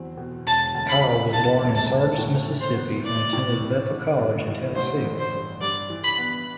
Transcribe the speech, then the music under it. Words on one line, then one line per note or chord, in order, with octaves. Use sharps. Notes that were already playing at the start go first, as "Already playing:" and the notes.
Kyle was born in Sardis, Mississippi and attended Bethel College in Tennessee.
Already playing: E2 F#3 C4
B2
E1 A5
D2
B5
C3
E3 A5
E1
A5
D2
A2
E3
C5
B3
E4 D5
A2
E3
A1
G2
E3
A1 C5
A1
C5
G2
G2 D5
E3
B5
B3